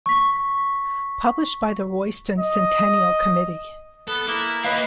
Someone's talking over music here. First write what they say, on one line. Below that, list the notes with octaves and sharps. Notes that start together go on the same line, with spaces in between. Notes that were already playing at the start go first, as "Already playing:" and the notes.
Published by the Royston Centennial Committee.
C#6 B6
D#5
B3 A4
A#3 E4
A#3 B4 D#5 F5